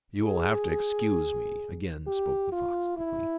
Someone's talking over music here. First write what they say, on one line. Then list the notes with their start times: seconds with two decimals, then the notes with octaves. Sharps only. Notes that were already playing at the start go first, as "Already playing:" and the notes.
"You will have to excuse me," again spoke the fox quickly.
0.23 G#4
2.07 G4
2.53 F4
2.97 E4